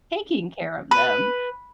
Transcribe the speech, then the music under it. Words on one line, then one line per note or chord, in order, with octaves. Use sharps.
taking care of them.
B4